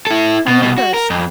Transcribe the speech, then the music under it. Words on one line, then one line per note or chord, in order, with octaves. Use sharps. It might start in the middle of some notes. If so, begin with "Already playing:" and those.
"Tell me first."
E4 A4
B2
C2 B2
F#4
A#4
F2